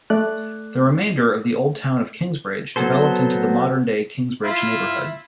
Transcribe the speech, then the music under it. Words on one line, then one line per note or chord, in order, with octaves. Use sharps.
The remainder of the old Town of Kingsbridge developed into the modern-day Kingsbridge neighborhood.
A3 D5 F#6
F#3 B3 A4 C5
E4 F4